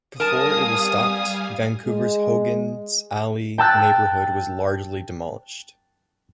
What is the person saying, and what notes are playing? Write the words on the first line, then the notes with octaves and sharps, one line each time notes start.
Before it was stopped, Vancouver's Hogan's Alley neighbourhood was largely demolished.
G3 A#4 F5 G#5 A5 D#6
G#3
G5 A5 E6 F#6 A6